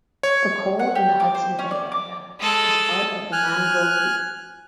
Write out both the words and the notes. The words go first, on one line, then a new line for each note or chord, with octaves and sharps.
The coal in the Hudson Bay area is part of the Mannville Group.
C#5
F#5
G4
D6
C5
C#4
D5
D6
G#3 A4
G#5 F6 F#6